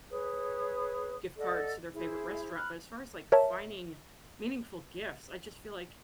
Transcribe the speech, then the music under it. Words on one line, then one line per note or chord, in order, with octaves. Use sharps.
gift cards to their favorite restaurant. But as far as, like, finding meaningful gifts, I just feel like
G#4 B4 C#5 D#6
A4 D5 D#5 F#5
E4 G#4 C5
B5 F6 F#6
A#4 C#5 E5 A5